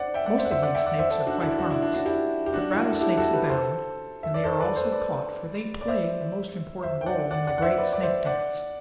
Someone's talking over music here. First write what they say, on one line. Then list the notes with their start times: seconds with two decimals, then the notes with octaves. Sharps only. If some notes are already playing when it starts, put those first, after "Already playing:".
Most of these snakes are quite harmless, but rattlesnakes abound, and they are also caught, for they play the most important role in the great snake dance.
Already playing: C5 D5 F#5
0.14 E5 G5
0.26 D5 F#5
0.38 C5 E5
0.45 F#5
0.50 C5 E5
0.62 D5 F#5
0.75 E5 G5
0.86 D5 F#5
0.98 C5 E5
1.10 A4 C5
1.26 D4 F#4
1.42 E4
1.58 D4 F#4
1.70 E4
1.81 D4 F#4
1.93 D4 F#4
2.06 E4 G4
2.46 G4
2.53 D4 F#4
2.72 E4
2.77 D4 F#4
2.92 A4
3.01 E4 G4
3.17 F#4 A4
3.33 G4 B4
3.49 A4 C5
4.23 E5
4.34 D5
4.44 A4 C5
4.60 B4 D5
4.76 A4 C5
4.92 B4 D5
5.81 D5
5.87 C5 E5
6.83 C5 E5
7.01 G5
7.06 D5 F#5
7.31 D5 F#5
7.47 D5 F#5
7.58 F#5
7.62 C5 E5
7.78 B4 D5
7.93 D5
8.03 C5 E5
8.26 D5 F#5